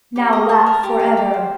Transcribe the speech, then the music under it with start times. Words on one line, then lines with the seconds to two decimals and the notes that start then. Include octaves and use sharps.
"Now laugh for ever!"
0.16 G4
0.33 D#5
0.49 A5
0.67 A#4
0.83 G4
1.00 F5
1.17 G4
1.34 C5